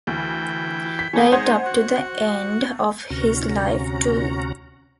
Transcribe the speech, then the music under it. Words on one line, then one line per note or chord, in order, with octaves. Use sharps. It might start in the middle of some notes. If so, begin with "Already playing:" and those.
Right up to the end of his life too.
D2 E3 G5
B6
E3 A3 B3 C#5
G#3 D#4 C5 F#5 G#6
F#4
D2 C3 C#4 F#4 A#5